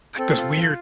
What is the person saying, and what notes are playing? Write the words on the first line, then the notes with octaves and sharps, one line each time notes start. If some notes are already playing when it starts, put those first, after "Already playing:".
like this weird
C4 A4
F4
F4